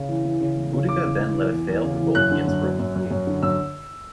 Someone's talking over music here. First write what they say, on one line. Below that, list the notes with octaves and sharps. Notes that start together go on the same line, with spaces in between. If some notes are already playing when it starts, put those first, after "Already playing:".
Boudica then led a failed revolt against Roman rule.
Already playing: C#3
E3
E3
C#3
E2
C#3
E2 D6
C#3
E3
E3
E2
E2
C#3
E3
F#2 F#6
D3
F#2
F#3
F#2
F#2
F#2
D3
F#2 E6